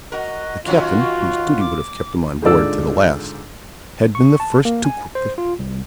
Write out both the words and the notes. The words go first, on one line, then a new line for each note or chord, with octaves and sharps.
The captain, whose duty would have kept him on board to the last, had been the first to quit the ship.
F#4 A#4 D#5
D#3 F#3 C#4 F4 F#4
D6
G#2 D3 F4 A4 D5 E6
C#6
A5
A#3
G#5
C5
F4
C2